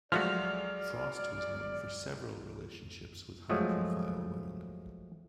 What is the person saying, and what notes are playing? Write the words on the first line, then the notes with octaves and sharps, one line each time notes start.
Frost was known for several relationships with high-profile women.
F3 F#3 G#3 A3 F#4 D5 F6
F3 F#3 G#3 A3